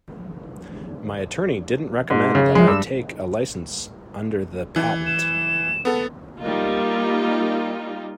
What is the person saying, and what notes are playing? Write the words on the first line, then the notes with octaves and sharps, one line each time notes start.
My attorney didn't recommend that I take a licence under the patent.
G#2
C#3
F3 G#3
G2 E6
E3
E7
B3 A4
G3 A#3 D#4 F4